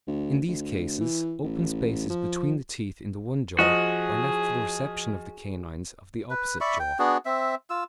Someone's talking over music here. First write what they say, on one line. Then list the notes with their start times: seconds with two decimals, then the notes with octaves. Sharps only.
In these cases, open spaces between the teeth in the one jaw are left for the reception of the canines of the opposite jaw.
0.07 D2
0.48 D2
1.00 E3
1.43 A1
2.09 F3
3.59 F3 F#4 G#4 D#5
6.30 B4
6.61 D5 E5 B5 C#6
6.80 G5
6.99 B3 D4 F#4 G#4
7.26 C4 E5
7.70 F4 E6